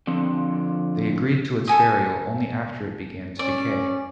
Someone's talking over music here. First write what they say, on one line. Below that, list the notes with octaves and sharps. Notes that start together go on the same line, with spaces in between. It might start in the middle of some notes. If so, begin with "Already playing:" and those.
They agreed to its burial only after it began to decay.
D3 F3 C4
A4 G#5 D#6
C#4 D5